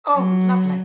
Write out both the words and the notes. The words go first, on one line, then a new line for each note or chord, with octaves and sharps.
Oh, lovely.
F#3